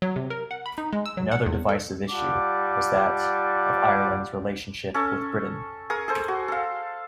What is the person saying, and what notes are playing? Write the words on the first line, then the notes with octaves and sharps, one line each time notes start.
Another divisive issue was that of Ireland's relationship with Britain.
F#3
C3
A#4
F#5
B5
D#4
G#3
E6
F#3
F#5
E2
A4
G3 F4 F#5 A5 D6
C#4 A4 C#6
G#4 A#4 C#6 D#6
G#4 A4 C5
F#4
A4 F5